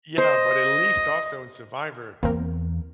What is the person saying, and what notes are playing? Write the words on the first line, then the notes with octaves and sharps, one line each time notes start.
Yeah, but at least also in survivor,
C5 D#5
E2 A#3 C4 A#4